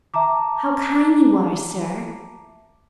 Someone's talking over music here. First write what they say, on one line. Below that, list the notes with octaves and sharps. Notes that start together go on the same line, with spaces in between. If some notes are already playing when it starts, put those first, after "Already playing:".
"How kind you are, sir!"
E5 A5 A#5 D6